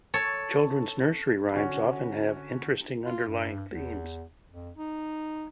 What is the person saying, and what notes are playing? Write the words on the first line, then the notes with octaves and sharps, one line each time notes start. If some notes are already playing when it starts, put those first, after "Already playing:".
Children's nursery rhymes often have interesting underlying themes.
A4 C#5
D3 C#4 F#4
F4
G2
E2
F2
D#4